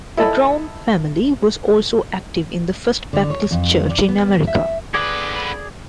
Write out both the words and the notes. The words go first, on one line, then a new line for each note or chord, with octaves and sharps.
The Drowne family was also active in the First Baptist Church in America.
E4 A4 D#5 A5 B5
D3
C#5
F2
D5
B3
E5
D3 G#4 B4 D5